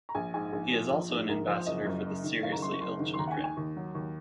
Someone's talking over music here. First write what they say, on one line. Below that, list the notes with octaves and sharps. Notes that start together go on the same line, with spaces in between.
He is also an ambassador for the for seriously ill children.
A#5
A#1 G#5
G#2 G#5
A#1
F3
A#1
G#2
A#1 A#4
F3 C5
F#1 D#5
F#2
F#1
D#3
F#1 F5
A#5
F#2 C6
C#6
F#1 C6
D#3
C6
D#2 A#5
F#5
G#5
D#3
G#5
D#2
F#3
D#2